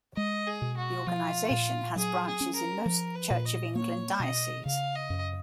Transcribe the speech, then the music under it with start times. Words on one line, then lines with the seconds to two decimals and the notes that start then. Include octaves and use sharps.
The organization has branches in most Church of England dioceses.
0.16 G#3 D#5
0.47 G#4
0.62 B2
0.77 F#4
1.07 F3 F4
1.51 A#2
1.96 F#3 G#4
2.26 G#4
2.41 C#4
2.55 A#4
2.86 F3 A#4
3.15 B4
3.30 A#2
3.45 D#5
3.75 A#3 C#5
4.20 B2 D#5
4.66 C#3 F5
4.95 D#5
5.10 F#2